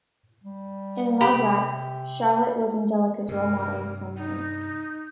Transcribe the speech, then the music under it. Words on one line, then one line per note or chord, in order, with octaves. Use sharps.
In Rugrats, Charlotte was Angelica's role model in some ways.
G3
C3 G4 B5 D6
G2 C3 A#4
D#4